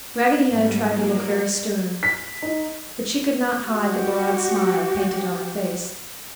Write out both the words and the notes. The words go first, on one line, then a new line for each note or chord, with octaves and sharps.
Raggedy Ann tried to look very stern, but she could not hide the broad smile painted on her face.
G#2 G3
F#3 A#3
B6
D#4
F#4 G4